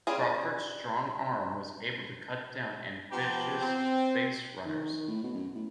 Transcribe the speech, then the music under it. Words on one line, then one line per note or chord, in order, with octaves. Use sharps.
Crawford's strong arm was able to cut down ambitious baserunners.
G3 C#4 F4 G#4
F3 B3 G4 G5 A#5
C4
D#3
D#3
A2
B2
F#2
A2